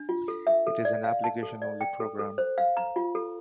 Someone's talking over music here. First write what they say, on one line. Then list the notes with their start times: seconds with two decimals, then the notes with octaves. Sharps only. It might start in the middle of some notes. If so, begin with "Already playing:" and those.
It is an application-only program.
Already playing: D4
0.09 F4
0.28 A4
0.47 E5
0.67 A4
0.85 D5
1.04 F5
1.24 A5
1.43 A4
1.62 D5
1.81 G5
2.00 A4
2.19 A4
2.38 C5
2.58 F5
2.77 A#5
2.96 F4
3.15 A4